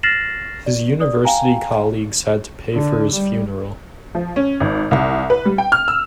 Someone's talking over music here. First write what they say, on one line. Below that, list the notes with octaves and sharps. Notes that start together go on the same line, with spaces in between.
His university colleagues had to pay for his funeral.
F6 A6 A#6 C7 E7 F#7
D5
D5 D#6
F5 G5 G#5 A#5
D3
G3
F3
C#4
G#1
C2
B4
G3
G5
F6
E6